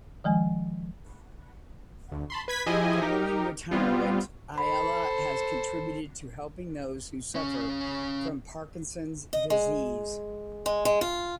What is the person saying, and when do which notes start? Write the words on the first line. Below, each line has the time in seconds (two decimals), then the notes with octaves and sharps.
Following retirement, Ayala has contributed to helping those who suffer from Parkinson's disease.
0.24 D#3 F3 G#3 G#5
2.12 D2
2.30 A5 B5 C6
2.48 B4 G#6 B6
2.66 F3 E4 G4 G#4 D#5 G#5
3.02 D#4 G4 A#4
3.71 G3 B3 C4 F4
4.58 A4 C5 B5
7.35 C#3 C#4
9.33 D#5
9.50 G#3
10.66 G#3
10.85 G#3
11.01 F4